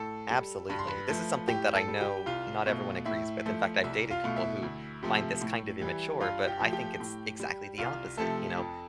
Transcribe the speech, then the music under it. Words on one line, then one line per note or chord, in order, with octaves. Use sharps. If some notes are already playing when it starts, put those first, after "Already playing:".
Absolutely. This is something that I know not everyone agrees with. In fact, I've dated people who find this kind of immature, but I think it's exactly the opposite. You know,
Already playing: A2 A4 A5
G3
G2 B5
C6
B4 B5
F3 A3
A2 G4 G5
A4 A5
G3
G4 G5
C2 F4 F5
B2 A3
A2 E4 E5
F3 A3
C2 E4 E5
F4 F5
B2 A3
E4 E5
D2
C3 F3 A3
A2
E3 G3
G2 F4 F5
G4 G5
F3 A3
G4 G5
A2
G3
C2 F4 F5
C3 F3 A3 A4 A5
F2